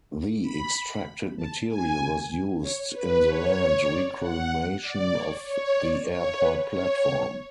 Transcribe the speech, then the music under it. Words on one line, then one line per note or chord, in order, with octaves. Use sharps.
The extracted material was used in the land reclamation of the airport platform.
B5
A5
G#5
C#5
B4
C#5
D5
F#5
D5
C#5
C#5
D5
C#5
B4
C#5
C#5